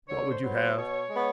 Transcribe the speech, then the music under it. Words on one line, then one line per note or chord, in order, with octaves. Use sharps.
What would you have?
D3 C#5
C5
F#3 B3
C5
B2 C#5
G#3 B3